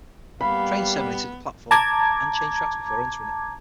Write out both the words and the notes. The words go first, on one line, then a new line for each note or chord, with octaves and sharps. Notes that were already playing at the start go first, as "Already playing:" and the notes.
Trains terminated at the platform, and changed tracks before entering it.
G3 A#3 B3 F5 B5
A5 A#5 D6 G#6